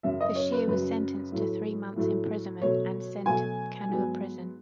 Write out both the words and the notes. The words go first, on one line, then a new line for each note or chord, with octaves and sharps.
Basheer was sentenced to three months imprisonment and sent to Kannur prison.
F#2 C#3 F#3 E5
D#5
C#5
B4
F#2 C#3 F#3 B4
A2 F#3 A3
A2 F#3 A3
B2 F#3 A3 C#5
B2 F#3 A3 G#5
G#2 F#3 B3